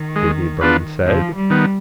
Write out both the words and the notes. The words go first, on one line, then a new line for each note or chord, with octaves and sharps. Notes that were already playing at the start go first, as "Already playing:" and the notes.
Davy Byrne said...
Already playing: D#3
G#3
B3 D4 F4 B4
F2 F3
G3
D#3 B3